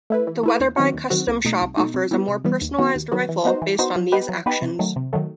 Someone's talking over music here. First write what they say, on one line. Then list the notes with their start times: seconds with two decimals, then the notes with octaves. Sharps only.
The Weatherby Custom Shop offers a more personalized rifle based on these actions.
0.10 A3 E4 B4
0.27 E3
0.43 A3 E4 B4
0.60 D#2
0.77 D#3 F#3 C4 F#4
0.94 D#2
1.10 D#3 F#3 C4 F#4
1.27 C2
1.45 B2 A3 D#4
1.61 C2
1.77 B2 A3 D#4
1.94 C3
2.11 E3 G3 B3
2.28 C3
2.44 E3 G3 B3
2.61 D#2
2.78 D#3 F#3 B3 F#4
2.95 D#2
3.12 D#3 F#3 B3 F#4
3.29 E3
3.45 B3 D#4 F#4 C5
3.62 E3
3.79 B3 D#4 F#4 C5
3.96 F#3
4.12 B3 D#4 G4 B4
4.29 F#3
4.46 B3 D#4 G4 B4
4.62 C3
4.79 D#3 F#3 A3
4.96 C3
5.13 D#3 F#3 A3